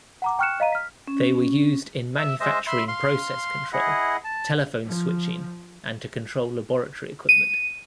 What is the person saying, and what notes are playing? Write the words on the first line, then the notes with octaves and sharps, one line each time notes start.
They were used in manufacturing process control, telephone switching and to control laboratory equipment.
F#5 A#5 D6
G5 C#6 F6 F#6 C#7 E7
D#5 F5 A#5 D#7
F6 B6
C#4
E5
G#3 C5 D#5 E5
E5 B5 C6
F5 C6
E4 G#4 D#5 F#5
A5
F3
D#7